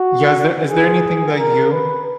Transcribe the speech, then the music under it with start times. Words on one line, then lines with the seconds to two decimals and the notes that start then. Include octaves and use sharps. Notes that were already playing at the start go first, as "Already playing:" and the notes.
Yeah, is there is there anything that you
Already playing: F#4
0.69 G#4
1.37 A#4
1.72 B4